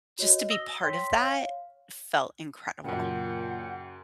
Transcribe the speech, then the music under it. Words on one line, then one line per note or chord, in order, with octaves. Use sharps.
just to be part of that felt incredible.
F#4 C#5 D#5
D#6 E6 A#6 G7
C#5 G5 C6 B6
C#5 F5
F#2 A#2 C#3 F#5 G5